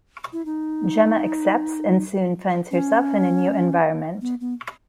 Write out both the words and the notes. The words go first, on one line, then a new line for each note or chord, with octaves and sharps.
Gemma accepts and soon finds herself in a new environment.
E4
D#4
C#4
B3
B3